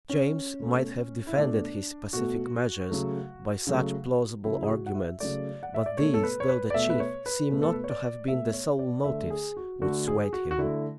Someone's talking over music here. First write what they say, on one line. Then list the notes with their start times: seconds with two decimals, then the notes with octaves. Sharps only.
James might have defended his pacific measures by such plausible arguments; but these, though the chief, seem not to have been the sole motives which swayed him.
0.09 C#4
0.59 B2 A3
1.27 E4
1.36 B2 A3 D4
2.13 B2 A3 F#4
2.90 C#3 F#3 A3
3.67 C#3 F#3 A3
4.43 C#3 F#3 A3 E4
4.63 G#4
4.70 F#4
4.86 F#5
4.95 E5
5.20 C#3 F#3 A3 D5
5.63 F#5
5.74 E5
5.86 D5
5.97 B2 A3 C#5
6.14 A4
6.23 B4
6.40 C#5
6.49 B4
6.70 D5
6.74 B2 A3 E5
6.90 B4
7.00 C#5
7.26 B4
7.51 B2 A3 B4
7.62 A4
7.73 B4
7.84 C#5
7.90 D5
8.28 B2 A3 E5
8.53 C#5
8.79 D5
9.04 D3 A3 E5
9.30 G#4
9.57 F#4
9.81 D3 A3 F#4
10.08 G#4
10.33 F#4
10.51 F#4
10.58 D3 A3 E4